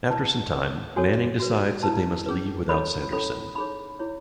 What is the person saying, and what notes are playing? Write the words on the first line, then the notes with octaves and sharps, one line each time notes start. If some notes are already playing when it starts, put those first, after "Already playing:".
After some time, Manning decides that they must leave without Sanderson.
E4 B4 A5
C#4 G#4 B4
F#4 A4 C#5 G#5
F#4 B4
E4 B4 A5
C#4 G#4 B4
E4 A4 C#5 B5
C#4 E4 A4 C#5 B5
D#4 G#4 C#5 B5
E4 G#4 C#5